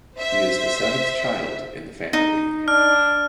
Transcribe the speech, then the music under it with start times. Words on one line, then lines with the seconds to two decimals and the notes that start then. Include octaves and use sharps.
He is the seventh child in the family.
0.17 C5 E5
2.13 D#4
2.68 D4 F6